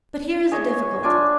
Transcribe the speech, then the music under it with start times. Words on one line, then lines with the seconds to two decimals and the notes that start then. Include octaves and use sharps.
But here is a difficulty.
0.51 G#4 C#5 D#5 E5
1.03 D4 F4 D5 G#5